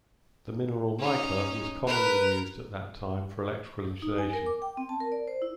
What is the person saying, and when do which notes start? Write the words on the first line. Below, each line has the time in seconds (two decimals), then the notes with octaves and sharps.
The mineral mica was commonly used at that time for electrical insulation.
0.98 C#4 D#4
1.87 A#4 B4
4.02 D#4
4.18 G#5
4.33 A#4
4.46 D6
4.62 G5
4.77 C4
4.89 A5
5.00 A#4
5.12 D5
5.27 C5
5.42 E4